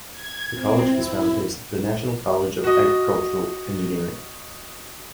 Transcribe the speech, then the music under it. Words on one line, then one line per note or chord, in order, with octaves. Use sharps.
The college was founded as the National College of Agricultural Engineering.
G#6
C4
E4
F#4 D#5